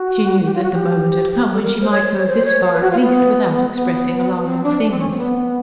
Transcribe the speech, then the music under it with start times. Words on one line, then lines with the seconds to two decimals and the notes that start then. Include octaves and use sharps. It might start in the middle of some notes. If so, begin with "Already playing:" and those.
She knew that the moment had come when she might go this far, at least, without expressing alarming things.
Already playing: F#4
0.45 G4
0.54 F4
0.63 F#4
0.72 G4
1.53 A4
1.63 A#4
1.82 C5
1.90 C#5
2.15 C#5
2.27 C5
2.45 C#5
2.63 C5
2.72 B4
2.81 F#4
2.91 F4
3.00 B3
3.73 B3
4.45 C4
4.64 D4
4.82 D4
4.90 C4
5.00 C#4
5.09 C4
5.18 B3